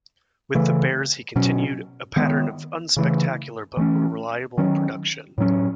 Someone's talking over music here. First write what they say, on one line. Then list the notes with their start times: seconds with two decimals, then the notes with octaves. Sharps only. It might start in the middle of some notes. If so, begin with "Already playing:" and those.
With the Bears he continued a pattern of unspectacular but reliable production.
0.55 C#3 E3 A3
1.36 B2 F#3 C#4
2.16 D#3 G#3 B3
2.97 C#3 E3 A3
3.77 E3 A3 C#4
4.58 D#3 F#3 C#4
5.38 A2 F#3 C#4